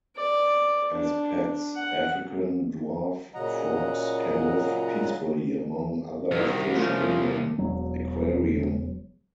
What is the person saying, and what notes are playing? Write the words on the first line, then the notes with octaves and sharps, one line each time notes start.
As pets, African dwarf frogs can live peacefully among other fish in an aquarium.
D5
D4
F#5
A#2 C#3 F#3 D#5 F#5 A#5
C2 F#2 C3 D#3
F3 A3 C#4 F4
E1 F#3